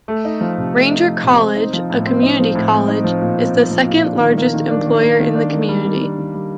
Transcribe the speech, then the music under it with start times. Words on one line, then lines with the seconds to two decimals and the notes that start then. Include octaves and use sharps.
Ranger College, a community college, is the second largest employer in the community.
0.08 A3
0.25 D#4
0.41 F3
0.58 C3
0.74 A3
0.91 D#4
1.07 F3
1.24 C3
1.39 C4
1.56 D#4
1.73 F3
1.90 A2
2.06 C4
2.22 D#4
2.39 F3
2.55 A2
2.72 C4
2.88 D#4
3.04 F3
3.22 A#2
3.38 C4
3.55 D#4
3.71 F3
3.88 A#2
4.04 D4
4.20 D#3
4.38 A#3
4.54 D#3
4.70 D4
4.86 D#3
5.03 A#3
5.20 D#3
5.35 D4
5.52 D#3
5.68 G3
5.85 D#3
6.02 D4
6.18 D#3
6.35 G3